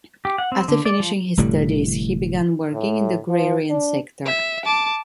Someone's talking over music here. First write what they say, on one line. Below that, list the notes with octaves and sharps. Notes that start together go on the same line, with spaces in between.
After finishing his studies, he began working in the agrarian sector.
G4
F#5
C4
D3
D5
F3
F1 A2 D3 G3
A2
F3
D4
E5
A5 D6